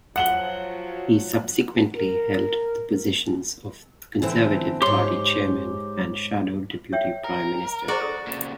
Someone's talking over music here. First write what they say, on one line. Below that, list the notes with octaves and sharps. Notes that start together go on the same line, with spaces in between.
He subsequently held the positions of Conservative Party Chairman and Shadow Deputy Prime Minister.
F3 F#3 F#5 F#7 G7
A#4
D3 E3 C4
G#2 G4 C#5 C6
C#5 E5 G5
A#4
F#4 G#4 C5 D5
A4
A#2 C#3